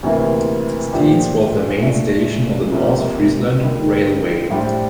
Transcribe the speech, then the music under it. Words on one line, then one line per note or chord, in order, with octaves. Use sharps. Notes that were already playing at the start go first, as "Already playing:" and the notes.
Stiens was the main station on the North Friesland Railway.
D2 C3 E3 A#3 E4
A#2 F3 A3 D4 G4
A#2 A3 D4
C2 C3 F3 A#3
D3 G3 A#3
A2 G3 D4 G4 C5